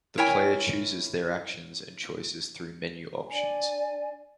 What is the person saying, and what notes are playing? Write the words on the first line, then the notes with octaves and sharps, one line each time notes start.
The player chooses their actions and choices through menu options.
E4 A#4 C#5 G5 G#5
D4 D5 G#5